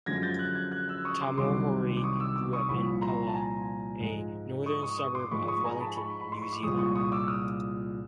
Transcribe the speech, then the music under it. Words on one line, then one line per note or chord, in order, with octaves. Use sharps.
Tamahori grew up in Tawa, a northern suburb of Wellington, New Zealand.
F#2 D3 F3 G#3 G#6 A#6
G6 A6
F#6 G#6
F#6 G#6
F#6 G#6
E6 F#6
C#6 D#6
C6 D6
C2 C3 D#3 F#3 C6 D6
D6
C#6 D#6
D6 E6
D6 E6
C#6 D#6
C2 A#2 F3 B5 C#6
A#5 C6
A5
G#5 A#5
G#2 F3 G#3
C#6 D#6
C#6 D#6
C#6 D#6
C6 D6
G#2 F3 G#3 B5 C#6
C#6 D#6
G#5 A#5
A5 B5
B5 C#6
B5
C6
C#6
D6
C2 A#2 F3 G#3 C#6 D#6
C#6 D#6
C#6 D#6
D6 E6
D#6 F6